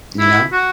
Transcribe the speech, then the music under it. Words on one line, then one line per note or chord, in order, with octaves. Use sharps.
you know?
E4
F#4